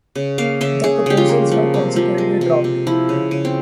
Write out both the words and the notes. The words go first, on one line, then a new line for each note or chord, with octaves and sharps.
The proposals were consequently dropped.
C#3
A#3 F5
C#3 E5
C#3 G#4
C#3 G4
F4
A#3
F3
C3
F3
G#3
C3
C3
F3 E4
C#3
C#3
C4